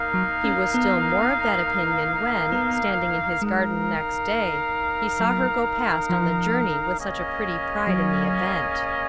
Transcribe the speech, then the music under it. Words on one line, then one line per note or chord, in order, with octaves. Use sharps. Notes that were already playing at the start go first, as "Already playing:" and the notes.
He was still more of that opinion when, standing in his garden next day, he saw her go past on the journey with such a pretty pride in the event.
Already playing: A#3 D#4 A#4 F5
F#3
C#4
B3
B3
G#3 D#4 A#4 F5
F#3
F3
A#3 C#4 G#4 D#5
F#3